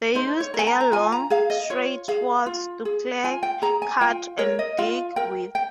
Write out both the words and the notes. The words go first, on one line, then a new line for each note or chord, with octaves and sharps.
They use their long, straight swords to clear, cut, and dig with.
D#4 C5
C#5
A#4
G#5
A#5
A#5
F4 G#5
A#5
G#4 F5
D#5
F4 C#5
G#4 F5
F4
G#4
F4 G#5
G5
G#4 A#5
G#5
F4 G5
A#4 C#5
D#5
F4 F5
A#4 G5
G5